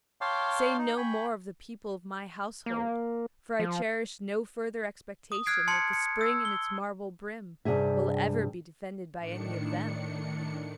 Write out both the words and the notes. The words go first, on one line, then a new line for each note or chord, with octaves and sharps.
Say no more of the people of my household; for I cherish no further expectation that the spring and its marble brim will ever be defended by any of them.
C#5 F5 G5 A5 C6 D6
D#4
G5 G#5 B5 C#6
A#3
F3
D#6
F6 F#6 G#6 C7 D7
A5 C6 C#7
C#7
E6
G7
G2 C3 G#4 E5
A2 D#3 D4 C#7